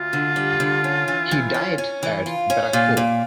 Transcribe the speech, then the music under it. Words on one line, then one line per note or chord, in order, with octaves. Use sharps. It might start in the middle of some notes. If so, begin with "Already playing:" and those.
He died at Barrackpur.
Already playing: D2 F4
D3
G3
D3
C#4
E3
E3
C#4
C#4
E3
F4
C#4
A#2 F4
A#2